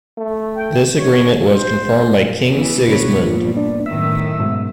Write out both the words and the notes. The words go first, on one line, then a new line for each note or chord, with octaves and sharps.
This agreement was confirmed by King Sigismund.
A3
G5
D#2 C#5
C5
A#1
C#3 E3 B3
D2 B2 D3 B4 C#5
G2 A#2 F3 G3
D4
F#2 A2 D#3 E5
G#2 B2